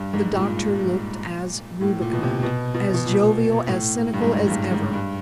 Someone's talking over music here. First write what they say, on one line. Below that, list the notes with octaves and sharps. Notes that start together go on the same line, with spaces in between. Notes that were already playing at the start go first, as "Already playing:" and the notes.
The doctor looked as rubicund, as jovial, as cynical as ever.
Already playing: G2
G#2
A#2
A2
A#2
B2
C3
B2
B2
B2
A#2
A2
G2
G#2
A2
G2
G#2
G#2
G2